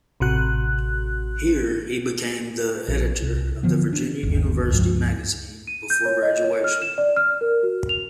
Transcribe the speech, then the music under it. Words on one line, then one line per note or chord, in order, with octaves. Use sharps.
Here he became the editor of the Virginia University Magazine before graduation.
A1 C3 F#4 F#6
A#1
C2
D3 E3 F3 B3
D4
G1 D#2
C#2 G2 D#3 F3
D#7
G6
C#5
D#5
C#5
F6
E7
D5
F6
A#4
F#4
F7